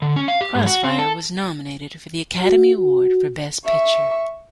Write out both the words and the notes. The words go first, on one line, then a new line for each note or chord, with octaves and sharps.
"Crossfire" was nominated for the Academy Award for Best Picture.
D3
C#4
F5
G4
G#2
F#4
C4
A4
F#4
F#4
E5 C#6